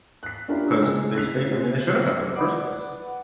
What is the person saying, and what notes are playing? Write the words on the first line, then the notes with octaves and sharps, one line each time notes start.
'cause they sh they I mean, they shouldn't happen in the first place.
F#6 B6
C#4 D4 E4 F4 G4 A#4
C#3 G#3 E6
E6 F#6 B6 F7
B4 D5 F#5 D6 F#6